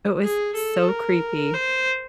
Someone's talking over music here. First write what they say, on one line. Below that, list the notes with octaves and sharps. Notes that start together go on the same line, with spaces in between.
It was so creepy,
G#4
A4
A#4
C5